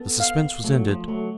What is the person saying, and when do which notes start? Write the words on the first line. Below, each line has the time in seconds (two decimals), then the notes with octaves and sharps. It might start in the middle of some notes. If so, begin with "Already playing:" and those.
The suspense was ended.
Already playing: B3 A4
0.20 F5
0.64 F#3 A3
0.87 F3
1.08 F#3 A3